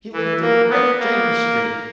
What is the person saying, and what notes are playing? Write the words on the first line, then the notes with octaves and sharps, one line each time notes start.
"He lived in Great James Street."
E3
A#3
B3
A#3